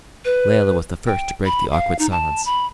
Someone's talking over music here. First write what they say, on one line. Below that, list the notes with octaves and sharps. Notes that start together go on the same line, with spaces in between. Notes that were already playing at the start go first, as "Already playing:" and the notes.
Layelah was the first to break the awkward silence.
B4
G5
B5
F5
D#4
A5
B5